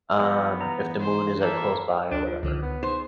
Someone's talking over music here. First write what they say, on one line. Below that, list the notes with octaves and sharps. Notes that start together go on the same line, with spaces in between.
um, if the Moon is, like, close by or whatever.
F3 G3 G#3 B3
E3 A#5
C5
A#3 A4 E5
D2 D4 F#6 D7
F3
C#2 D3 D#3 F3
B3
D#4 G#4 C5